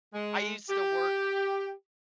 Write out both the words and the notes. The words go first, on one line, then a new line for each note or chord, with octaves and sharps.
I used to work
G#3
G4